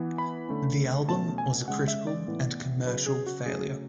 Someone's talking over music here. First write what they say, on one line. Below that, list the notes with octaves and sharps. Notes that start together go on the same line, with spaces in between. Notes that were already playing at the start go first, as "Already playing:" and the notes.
The album was a critical and commercial failure.
Already playing: E3 B3
B5
D3 A3 C#4
B2 A3 C#4 A5
G#5
C#3 G#3 C#4 F#5
E5
D5
A2 E3 B3
C#3 F#3 C#4 B4
G#4
F#4
C#3 F#3 A3 C#4 G#4